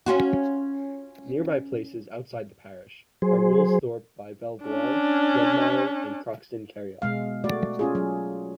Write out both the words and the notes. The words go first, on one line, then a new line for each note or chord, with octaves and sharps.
Nearby places outside the parish are Woolsthorpe by Belvoir, Redmile, and Croxton Kerrial.
C#4 F4 F#4
F#3 G#4 C5
C#4 D4
B2 G#3 F5
A3 F#4 D5
C#4 F4 G#4
F#3